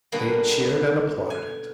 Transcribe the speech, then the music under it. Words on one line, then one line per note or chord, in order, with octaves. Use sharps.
They cheered and applauded it.
B2 D3 G3 A#3 B3
G#5